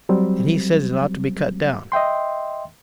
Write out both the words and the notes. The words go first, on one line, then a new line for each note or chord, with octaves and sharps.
And he says it ought to be cut down.
F#3 G3 C4
D#5 E5 G5 C6